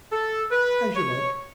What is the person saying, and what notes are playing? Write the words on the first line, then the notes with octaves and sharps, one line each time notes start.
'As you like....
A4
B4
C#5